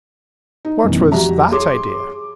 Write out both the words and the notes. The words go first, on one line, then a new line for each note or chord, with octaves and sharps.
"What was that idea?"
D#4
F#2 B2 E3
F2 G3 F#4 E5 A#5
G#4 C#5 C6 D6